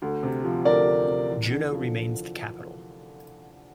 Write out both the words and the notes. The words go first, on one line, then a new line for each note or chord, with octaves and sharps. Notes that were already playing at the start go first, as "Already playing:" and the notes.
Juneau remains the capital.
D2
C3
F3
D2 A#4 D5
D2
C3
E2
D3
F3